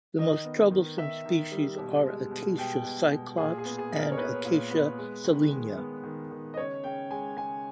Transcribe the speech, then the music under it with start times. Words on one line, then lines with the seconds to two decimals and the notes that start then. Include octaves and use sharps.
The most troublesome species are "Acacia cyclops" and "Acacia saligna".
0.19 D#3 D#5
0.45 B3
0.71 D#3
0.98 D#3 E5
1.26 D#3
1.51 G3
1.78 B2
2.05 G#3
2.31 B2
2.58 B2 G5
2.84 B2
3.12 B2
3.37 A#2 G#4
3.58 G#4
3.65 B3
3.78 G#4
3.91 A#2
3.98 A#4
4.12 C#5
4.17 B3 B4
4.45 A#2
4.71 B3
4.98 G#3
5.24 D#3
5.51 G#3
5.77 B3
6.03 D#3
6.31 D#3
6.54 D#5
6.57 C#3 C#5
6.84 C#3 G5
7.10 G#3 G#5
7.37 C#3 G#5